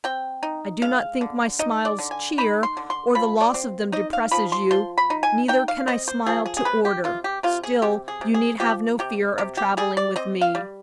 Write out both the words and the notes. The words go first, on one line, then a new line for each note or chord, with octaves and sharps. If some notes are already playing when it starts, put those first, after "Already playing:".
"I do not think my smiles cheer, or the loss of them depresses you. Neither can I smile to order; still you need have no fear of traveling with me."
C4 G5
D#4
G#3 F5
D3
D#4 D#5
D5
D3
G#5
D#4 B5
C6
D3
C6
F3 B5
D5
C4
D#4 D#5
F5
F3 B5
C6
F3 C6
B5
D#4
G#5
D#4 G5
F5
C4 D#5
C5
F3 G#4
G#4
G#4
C3 B4
G4
C3 F4
G4
C3 F4
G#4
C3 G4
G#4
C3
G#4
F3 G4
C3 G4
C3 G4
G4
G3 G#4
D5
C4 D#5
F5
G3